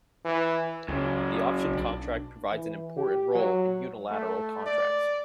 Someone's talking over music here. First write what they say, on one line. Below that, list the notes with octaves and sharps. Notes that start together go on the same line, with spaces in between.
The option contract provides an important role in unilateral contracts.
E3
C#2 F#2 C#3
B1 D4
E3
G4
F#3
A3
D5